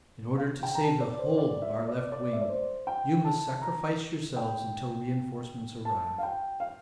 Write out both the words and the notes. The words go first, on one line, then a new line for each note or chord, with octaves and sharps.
In order to save the whole of our left wing you must sacrifice yourselves until reinforcements arrive.
F5
G5
A#5
A5
D5
C5
D5
E5
D5
D5
E5
D5
C5
G5
A5
A#5
G5
A5
F5
G5
F5